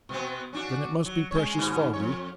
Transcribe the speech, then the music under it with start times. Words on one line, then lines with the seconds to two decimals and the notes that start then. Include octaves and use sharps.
Then it must be precious foggy?'
0.09 B2 B3 C4
0.53 C#4 D4 F#4
1.05 F#3
1.31 G#3 C#4 C#5
1.58 D#2 G#2 B2
1.93 F2 C#5